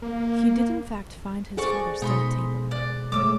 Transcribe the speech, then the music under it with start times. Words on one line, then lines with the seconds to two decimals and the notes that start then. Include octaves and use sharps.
He did in fact find his father still at table.
0.02 A#3
1.57 F#4 G#4 A4 C5 D5 C#6
2.02 B2 G#3 D#4 B5 C6
2.71 D5 F#6
3.12 G#3 A3 C#5 D6 E6